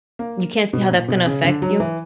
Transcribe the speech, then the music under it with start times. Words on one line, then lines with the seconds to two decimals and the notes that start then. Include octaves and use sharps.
you can't see how that's gonna affect you?
0.19 A#3
0.73 B2
0.91 A#2
1.08 B2
1.26 C#3
1.45 D3
1.62 F#3
1.80 E3